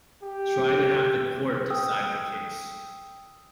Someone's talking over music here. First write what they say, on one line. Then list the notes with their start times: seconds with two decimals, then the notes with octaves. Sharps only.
Try to have the court decide the case.
0.23 G4
1.70 G5 D#6 E6